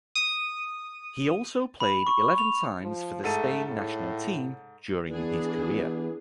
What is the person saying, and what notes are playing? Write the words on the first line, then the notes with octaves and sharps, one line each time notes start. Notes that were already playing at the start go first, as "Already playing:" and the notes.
He also played eleven times for the Spain national team during his career.
D#6
B5
C#6
F7
F3
G#2 A3 A4 D#7
A2
E3 B3 D4 G#4